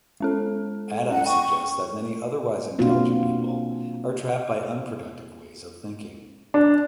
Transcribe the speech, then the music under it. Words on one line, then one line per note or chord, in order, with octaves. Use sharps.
Adams suggests that many otherwise intelligent people are trapped by unproductive ways of thinking.
G#3 C#4 A4
C#4 F#5
G5 C#6
B2 A#3 C4 D4 F4 F#4
D4